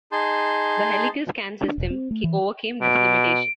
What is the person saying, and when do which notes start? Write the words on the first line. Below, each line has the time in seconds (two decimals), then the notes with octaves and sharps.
The helical-scan system overcame this limitation.
0.12 D#4 G#4 A5 C6 G6
1.63 D4
1.78 E1
1.90 C4
2.11 A3
2.24 E3
2.81 B2 D7